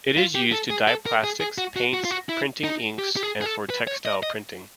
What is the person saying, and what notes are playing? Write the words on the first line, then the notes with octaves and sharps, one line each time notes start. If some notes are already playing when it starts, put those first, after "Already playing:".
It is used to dye plastics, paints, printing inks, and for textile printing.
F4
G4
A4
G#4
A4
A#4
G#4
G#4
F#4
F#4
F#4
F4
F#4
E4
D#4
G4
G4
G#4
G#4
A4
B4
C#5
D#5
D#5